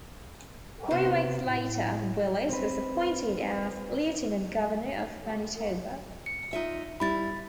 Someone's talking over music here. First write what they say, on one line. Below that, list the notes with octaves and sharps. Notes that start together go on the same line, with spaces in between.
Three weeks later, Willis was appointed as Lieutenant Governor of Manitoba.
C3 B3 F#4 C5
A2
C4 B4
C#7
D#4 F4 E5
G3 E4 B5 A6